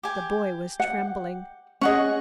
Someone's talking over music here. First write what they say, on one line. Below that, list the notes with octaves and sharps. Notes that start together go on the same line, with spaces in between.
The boy was trembling.
G4 G#5
F#5
C#4 G#4 D#5 F#5 C#6